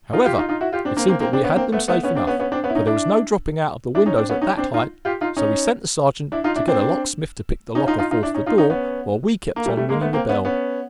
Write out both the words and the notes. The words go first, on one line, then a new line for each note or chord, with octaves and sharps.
However, it seemed that we had them safe enough, for there was no dropping out of the windows at that height; so we sent the sergeant to get a locksmith to pick the lock or force the door, while we kept on ringing the bell.
D#4 F4
F4 G4
D#4 F4
D#4 F4
E4 F#4
F4 G4
C4 D4
A#3 C4
A#3 C4
A#3 C4
C4 D4
B3 C#4
A#3 C4
A3 B3
A3 B3
B3 C#4
C4 D4
B3 C#4
B3 C#4
C4 D4
B3 C#4
E4
C#4 D#4
D4 E4
D4 E4
C#4 D#4
C4 D4
B3 C#4
C#4 D#4
C4 D4
D#4 F4
F4 G4
D#4 F4
C#4 D#4
D4 E4
D#4 F4
D4 E4
C4 D4
C#4 D#4
D#4 F4
D#4 F4
D#4 F4
D4 E4
C#4 D#4
D#4 F4
C#4 D#4
B3 C#4
A#3
G3 A3
G3 A3
G#3 A#3
A3 B3
A#3 C4
B3 C#4
B3 C#4